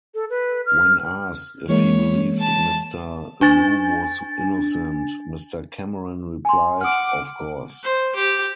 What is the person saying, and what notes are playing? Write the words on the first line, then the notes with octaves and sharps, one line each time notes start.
When asked if he believed Mr Lew was innocent, Mr Cameron replied: of course.
A4
B4
F6
E3 G#3 A#3 C#5
A5
D4 G#5 A6
G#5 C6
F#5 D6 D#6 F6
C5
G4